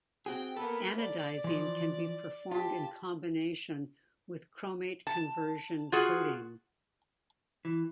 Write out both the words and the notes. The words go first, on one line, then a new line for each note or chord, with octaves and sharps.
Anodizing can be performed in combination with chromate conversion coating.
C4 F#4 G#4 G5
A#3 B3 A4
D5
E3 F3
F4 G4 A5
A5
F4 F#4 G#4
E3